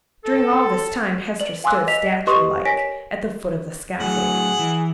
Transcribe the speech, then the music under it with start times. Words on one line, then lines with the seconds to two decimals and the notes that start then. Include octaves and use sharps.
During all this time, Hester stood, statue-like, at the foot of the scaffold.
0.25 A4
1.40 D5 F#7
1.64 F5 G#5 C6 D6 E6 F#6
1.88 D#5 B6 F7
2.27 G4 B4 D#5 C6 C#6 D#6
2.65 A#4 C#5 G#5 A#6 B6 D7
4.00 A2 F#3 G#4 F#5
4.59 E3